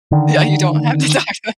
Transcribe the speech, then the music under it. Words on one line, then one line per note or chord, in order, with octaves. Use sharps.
Yeah, you don't have this accent.
D3 D#3